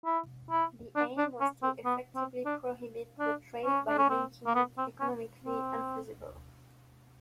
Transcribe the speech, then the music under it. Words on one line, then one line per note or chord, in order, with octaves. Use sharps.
The aim was to effectively prohibit the trade by making it economically unfeasible.
E4
E4
D4
D4
C#4
C4
B3
C4
D4
D4
C#4
D4
C#4
C4
A#3
B3
C4
C#4
C4